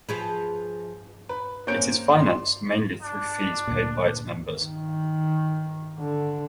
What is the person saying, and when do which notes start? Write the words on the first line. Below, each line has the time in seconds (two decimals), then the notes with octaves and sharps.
It is financed mainly through fees paid by its members.
0.09 F3 G#4 B4
1.29 B4
1.67 A#3 C4 C#4 C#5 G6 D7
2.18 D5 C6
3.03 D4
3.67 D2 A#2
4.63 D#3
6.00 D3